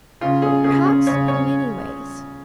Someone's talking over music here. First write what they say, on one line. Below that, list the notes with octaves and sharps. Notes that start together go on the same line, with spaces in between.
Perhaps in many ways.
C#3 F4
C#4 G#4
C#3 G#4
C#4
C#3 C#5
C#3 C#5